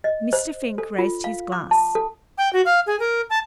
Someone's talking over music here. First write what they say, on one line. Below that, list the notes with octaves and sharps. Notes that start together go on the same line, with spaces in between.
Mr. Fink raised his glass.
D#5
C5
A4
F4
F5
D6
A5
A4
G5
F#4
F5
G#4
A#4
A5